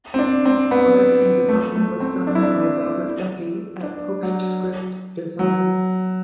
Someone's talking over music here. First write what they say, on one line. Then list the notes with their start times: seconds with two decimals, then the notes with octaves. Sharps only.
Art and design was done by Robert Duffy at PostScript Design.
0.14 C4
0.19 D4
0.46 C4
0.71 B3
1.48 A3
1.76 A3
2.00 C4
2.27 D4
2.35 E4
2.43 D4
3.83 D4
4.23 F#3
5.39 F#3